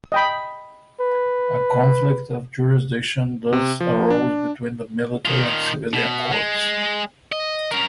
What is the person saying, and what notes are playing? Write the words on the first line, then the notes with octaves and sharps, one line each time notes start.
A conflict of jurisdiction thus arose between the military and civilian courts.
D#5 G5 B5
B4
C3
F3
D4
D#3 F4
B2
G#3
D#5
C#4 A#4